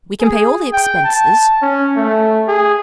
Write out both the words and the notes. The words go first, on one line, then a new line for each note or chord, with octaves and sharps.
We can pay all the expenses.
G#4
G5
A5
C#4
A3
G#4